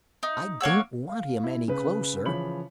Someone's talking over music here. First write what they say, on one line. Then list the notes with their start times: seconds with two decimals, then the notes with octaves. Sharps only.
"I don't want him any closer."
0.23 D#4
0.61 A#3 C#5 F#5 E6
1.09 F5
1.44 E4
1.68 C#3 B4
2.26 C#3 E3 F3 C#5 B5 F#7